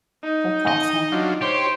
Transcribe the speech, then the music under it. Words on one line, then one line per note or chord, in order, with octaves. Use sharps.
That's awesome.
D#4
D#5
F#3 D4 F4
G4 C5 C#5 C6